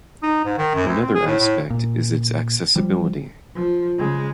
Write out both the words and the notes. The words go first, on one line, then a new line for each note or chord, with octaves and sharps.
Another aspect is its accessibility.
D#4
G#2
D#3
F#2
D2
C4
G#4
A2
A2
A#2
F3 G3
F3
C#3 G#3